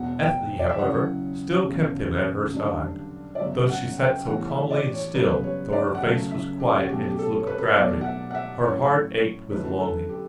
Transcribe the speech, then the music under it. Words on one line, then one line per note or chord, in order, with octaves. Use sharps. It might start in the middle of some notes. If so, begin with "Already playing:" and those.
Ethne, however, still kept him at her side. Though she sat so calmly and still, though her face was quiet in its look of gravity, her heart ached with longing.
Already playing: E1 E2 B2 F#5
G5
D5
E5
F#2 C#3 F#3 C#4 E4 F#5
E1 E2 C#3
G2 D3 F#3 A3 D4
D5
G1 F#2 C#3 F#3 B3 E5
F#5
G5
A2 E3 G3 B3 F#5
E5
D5
C#5
F#2 C#3 G3 B3 B4
C#5
D5
F#5
F#2 C#3 F#3 A3 E5
E5
G4
F#4
B1 B2 A3 G4
G4
A4
C#5
B4
B4
C#5
B1 B2 A3 D5
F#5
E5
F#5
E5
A2 F#3 C#4 E4 C#5
F#2 D3 A3 E4 B4
A4
G4